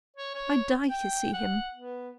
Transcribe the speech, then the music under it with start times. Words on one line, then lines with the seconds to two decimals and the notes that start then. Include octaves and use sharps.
I die to see him.
0.16 C#5
0.35 C#5
0.90 G5
1.33 F#5
1.74 B3